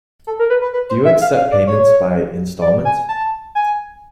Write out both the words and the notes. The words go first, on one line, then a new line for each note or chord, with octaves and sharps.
Do you accept payment by instalments?
A4
A#4
B4
B4
B4
C5
E5
F5
F5
D5
C#5
D5
G#5
A5
G#5